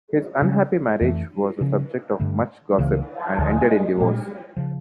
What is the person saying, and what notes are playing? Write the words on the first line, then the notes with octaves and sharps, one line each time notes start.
His unhappy marriage was a subject of much gossip, and ended in divorce.
C#3 G3 C#4
F2 E3 A3
C#3 F3 C#4
G2 D3 A3
C#2 C#3 E3 A#3
D2 D3 F3
A#2 A3 C#4
C#3 F3